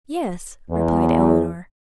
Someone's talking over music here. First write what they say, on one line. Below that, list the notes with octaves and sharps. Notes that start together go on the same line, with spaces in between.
"Yes," replied Eleanor.
E2